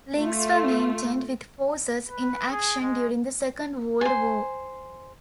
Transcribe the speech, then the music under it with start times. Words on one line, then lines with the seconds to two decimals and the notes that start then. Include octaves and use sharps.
Links were maintained with forces in action during the Second World War.
0.17 A3 F4
2.09 B4
2.50 G#4
2.81 G#3
4.01 C5 G#5